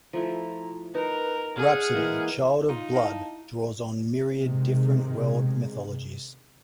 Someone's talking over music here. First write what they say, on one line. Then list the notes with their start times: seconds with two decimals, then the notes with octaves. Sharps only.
"Rhapsody: Child of Blood" draws on myriad different world mythologies.
0.13 F3 A3 E4 A#5
0.94 D#4 A#4 B4
1.56 G#4 F#5 F6
1.94 E3 G#3 A#3
2.69 D#4 F4
2.94 E4 D#5 F5 A5
4.39 C3 D#3 G#3